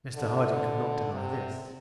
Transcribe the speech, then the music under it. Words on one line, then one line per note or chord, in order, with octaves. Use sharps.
Mr Harding could not deny this.
D3
C3